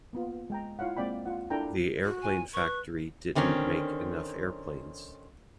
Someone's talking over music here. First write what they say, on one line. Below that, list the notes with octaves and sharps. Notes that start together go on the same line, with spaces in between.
The airplane factory didn't make enough airplanes.
A#3 B3 F4
G#3 G5 A#5
E4 F4 C#5 F5 F#5
G#3 A#3 C4 D5 G5 B5
F4 F#5
D4 E4 A4 A#4 G5 A#5
F#4
G#5
B4 C#6
D3 D#3 C4 C#4